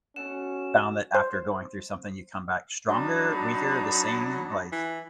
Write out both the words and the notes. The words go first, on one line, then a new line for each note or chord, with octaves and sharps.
found that after going through something you come back stronger, weaker, the same? Like
B2 C#4 A4 F#5 E7
C5
F#3 D4 D#4 B5
E3